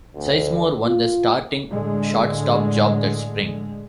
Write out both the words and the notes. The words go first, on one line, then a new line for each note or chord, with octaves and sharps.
Sizemore won the starting shortstop job that Spring.
D2
F4
A2 D3 G#3